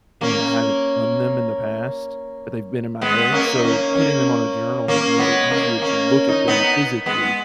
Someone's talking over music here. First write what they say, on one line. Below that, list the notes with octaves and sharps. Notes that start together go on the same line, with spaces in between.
and I haven't done them in the past, but they've been in my head. So putting them on a journal has made it easier to look at them physically
A#3 C#4
G#3 B3
A#3 C#4
D#4
A#3 C#4
A#3 C#4
A#3 C#4
G#3 B3
A#3 C#4
A#3 C#4
D#4
B3 D#4
G#3 B3